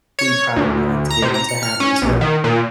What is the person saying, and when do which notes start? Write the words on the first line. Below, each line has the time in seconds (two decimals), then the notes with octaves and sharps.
we'd probably like to get into having too.
0.19 C#5
0.56 D2
1.10 A#5
1.22 C3
1.34 A#5
1.49 C#7
1.63 F6
1.80 C#4
2.02 A#1
2.21 D#3
2.44 A#2